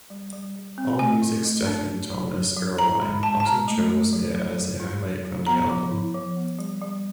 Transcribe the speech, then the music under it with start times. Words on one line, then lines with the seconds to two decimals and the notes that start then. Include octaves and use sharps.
Allmusic's Stephen Thomas Erlewine also chose it as a highlight from the album.
0.10 G3
0.32 G3
0.56 G3
0.78 C4
0.99 A3 G#5
1.22 F4
1.45 A3
1.66 D4
1.89 F#3
2.12 F#3
2.34 F#3
2.56 F#3
2.78 E4 A#5
3.01 G#3 B5
3.23 G#3 A5
3.40 A5
3.45 G#3 A#5
3.68 A3
3.90 A3
4.13 F#3
4.35 F#3
4.58 F#3
4.80 F4
5.02 F#3
5.25 F#3
5.47 B3 A#5
5.70 F3
5.91 E4
6.14 F3
6.36 B3
6.59 G3
6.81 G3